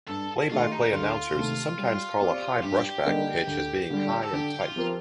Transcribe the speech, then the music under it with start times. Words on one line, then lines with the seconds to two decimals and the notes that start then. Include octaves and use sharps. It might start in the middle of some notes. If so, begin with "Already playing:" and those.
Play-by-play announcers sometimes call a high brushback pitch as being high and tight.
0.08 G2 A4
0.50 D#3 A3 D#4 F4 G4
0.72 D#4
0.93 D2 F4
1.35 C3 D#3 A3
1.78 G3
2.20 C4 G4 D5
2.63 G2 G4
3.05 D3 G3 A#3 D#4
3.47 D2
3.90 D3 G3
4.22 A4
4.32 D3 G4
4.61 F4
4.76 F3 C4 G4 A#4